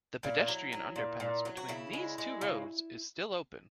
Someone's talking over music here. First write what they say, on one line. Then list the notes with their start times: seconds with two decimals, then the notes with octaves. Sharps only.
The pedestrian underpass between these two roads is still open.
0.23 A#2 E4
0.48 F#3
0.73 F#3
0.96 A#2
1.20 A#2
1.45 F#3
1.57 F#4
1.69 C#3 E4
1.93 G#3
2.18 G#3
2.41 C#3